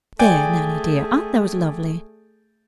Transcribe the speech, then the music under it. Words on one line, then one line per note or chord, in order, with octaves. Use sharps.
There, Nannie dear, aren't those lovely?
A3 G#4 D5 G5 G#5